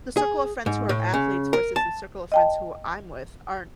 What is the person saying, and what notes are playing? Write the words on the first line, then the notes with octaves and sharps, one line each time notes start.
the circle of friends who are athletes versus the circle of friends who I'm with aren't
G#4
G#2
A2
C#3
A#4
A5
D#5 G5 A5